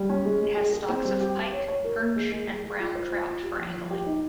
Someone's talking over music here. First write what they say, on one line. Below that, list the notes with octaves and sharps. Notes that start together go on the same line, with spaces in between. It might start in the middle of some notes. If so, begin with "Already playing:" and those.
It has stocks of pike, perch and brown trout for angling.
Already playing: G3
C#4
G#3
G#3
G#4
G#4
C4
G3
G4
G4
C#5
C#5
A#4
A#3
G#3
G#3
G#3
G#3
F4
C5
F4
F4
G4
F3
F3
G4
D#4